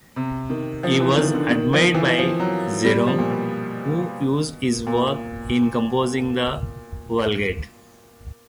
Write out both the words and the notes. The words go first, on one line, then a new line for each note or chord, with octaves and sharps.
He was admired by Jerome, who used his work in composing the "Vulgate".
C3
D#3
F3
E3
D#3
D3
D#3
F3
E3
F3
F#3
G3
F3
A#2
B2
A#2